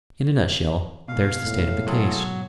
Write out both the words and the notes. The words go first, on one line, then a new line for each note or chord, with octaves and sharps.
In a nut-shell, there's the state of the case.'
G#2 B2 F5
A2
F#3 F4 G#4 A4